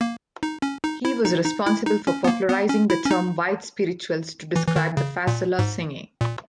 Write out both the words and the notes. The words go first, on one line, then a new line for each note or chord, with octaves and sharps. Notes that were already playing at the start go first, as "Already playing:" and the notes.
He was responsible for popularizing the term "white spirituals" to describe the "fasola" singing.
A#3
D#4
C#4
D#4
E4
D#4
D#4
E4
D#4
C#4
B3
A#3
B3
C#4
E4
C#4
D#4
E3
E3
D#3
C#3
A#2
G#2
A#2